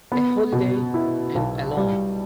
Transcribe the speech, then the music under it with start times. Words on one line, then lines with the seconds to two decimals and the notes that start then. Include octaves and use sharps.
A holiday, and alone!
0.12 B3
0.52 B2
0.94 E4
1.35 B1
1.77 G3